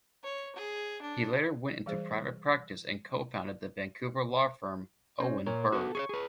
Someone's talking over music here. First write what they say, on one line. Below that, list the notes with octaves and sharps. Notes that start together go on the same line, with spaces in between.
He later went into private practice and co-founded the Vancouver law firm Owen Bird.
C#5
G#4
D4
E3 G3 G#4 C5
C#4 C5 C#5
A#2 A#4 C#5
B3 F#4 A4
G#4 C5 C#5 C#6
G#4 B4